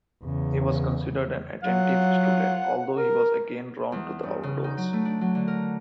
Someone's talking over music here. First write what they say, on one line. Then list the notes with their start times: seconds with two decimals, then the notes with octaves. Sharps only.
He was considered an attentive student, although he was again drawn to the outdoors.
0.24 E2 C#3
1.64 F#3 F4 F#5
2.96 A#4
3.92 E2
4.23 G2
4.43 C#3
4.64 D#4
4.77 F#3
4.93 A3
5.05 D4
5.21 F#3
5.35 D3
5.48 A#4